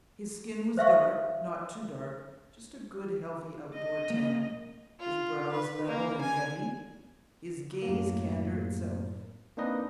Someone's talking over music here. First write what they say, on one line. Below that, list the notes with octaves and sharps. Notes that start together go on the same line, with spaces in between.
His skin was dark--not too dark--just a good healthy out-door tan: his brows level and heavy, his gaze candour itself.
C5 E5 F5 C#6
D#5
A#3
F4
B4
A#3
G#5
F#2 A2 F#3 A#3
A#3 C4 D4 D#4 B4 D#5